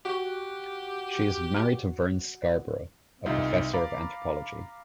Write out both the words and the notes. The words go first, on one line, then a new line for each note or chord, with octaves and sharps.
She is married to Vern Scarborough, a professor of anthropology.
F#4 G4
C2 G3 D#4 F4 E5
F5 A#5 B5 D6 A6